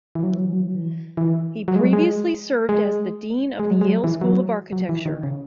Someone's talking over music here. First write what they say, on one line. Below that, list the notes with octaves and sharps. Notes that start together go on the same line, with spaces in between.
He previously served as the Dean of the Yale School of Architecture.
E3
F#3
E3
F#3
E3
F#3
E3
F#3
E3
E3
F#3
G#3
F#3
G#3
G#3
G#3
F#3
G#3
F#3
E3
F#3
F#3
E3
D#3
C#3